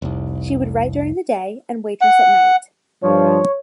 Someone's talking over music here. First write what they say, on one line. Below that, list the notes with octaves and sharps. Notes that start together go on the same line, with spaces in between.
She would write during the day and waitress at night.
F1 C2
F#5
G2 F3 C#5